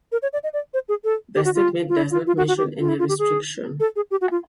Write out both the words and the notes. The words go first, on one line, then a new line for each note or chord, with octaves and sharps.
The statement does not mention any restriction.
A#4
C#5
D5
D#5
D5
C5
G#4
A4
G4
F#4
F4
F4
E4
F4
F4
F#4
F#4
G4
F4
E4
F4
G4
G#4
A4
G#4
G4
F#4
F4